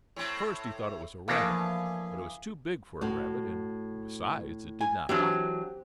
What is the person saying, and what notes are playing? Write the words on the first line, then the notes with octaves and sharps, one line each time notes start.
At first he thought it was a rabbit; but it was too big for a rabbit, and besides, it did not hop.
A2 C4
E3 A3 A#3 D4 F5 F#5 D#6
F3
A2 F#4
G#5
E3 F#3 C4 D4 G4